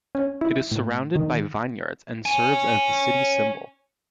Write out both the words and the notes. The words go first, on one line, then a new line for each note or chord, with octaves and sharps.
It is surrounded by vineyards and serves as the city's symbol.
C#4
E4
A2
D#3
C#5 G#5